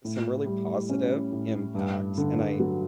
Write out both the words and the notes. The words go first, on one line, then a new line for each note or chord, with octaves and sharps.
some really positive impacts, and I
A2
G3
C#4
A2
G2
D3
F#3